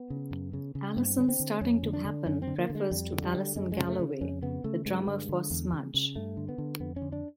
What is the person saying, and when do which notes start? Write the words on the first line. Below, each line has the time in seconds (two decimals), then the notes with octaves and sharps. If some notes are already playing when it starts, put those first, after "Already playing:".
"Alison's Starting to Happen" refers to Alison Galloway, the drummer for Smudge.
Already playing: B3
0.10 C#3
0.31 F#2
0.53 C#3
0.75 C#3
0.96 G2 C4
1.18 D3 C#4
1.29 C4
1.40 D3
1.61 F2 C#4
1.83 D3
1.93 D4
2.05 D3
2.26 F#2 C#4
2.42 C4
2.47 D3
2.58 A#3
2.70 D3
2.75 G#3
2.91 F2 G3
3.13 D3
3.24 G3
3.34 D3
3.56 F#2 G#3
3.72 G#3
3.78 C#3
3.89 A3
3.99 C#3
4.21 F2 C#4
4.42 C#3 B3
4.64 C#3 A3
4.86 G2 G#3
5.07 D3
5.29 D3
5.51 E2
5.72 C#3
5.94 C#3
6.16 G2 A3
6.37 D3
6.49 B3
6.58 D3
6.80 F2 B3
6.96 C#4
7.02 D3
7.12 D4